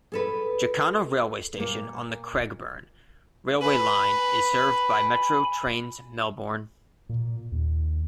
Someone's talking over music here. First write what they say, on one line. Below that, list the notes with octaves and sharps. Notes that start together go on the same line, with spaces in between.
Jacana railway station on the Craigieburn railway line is served by Metro Trains Melbourne.
G#4 A4 B4
A#2 A#3
B4 G#5 B5
A#2
D#2